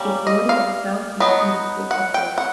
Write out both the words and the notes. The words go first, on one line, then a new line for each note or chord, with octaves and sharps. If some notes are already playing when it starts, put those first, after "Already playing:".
It borders the southeastern districts of Berlin.
Already playing: G3 A#3 C#4
D#5
F5
F#3 B3 D#4
F#5
G5
F#5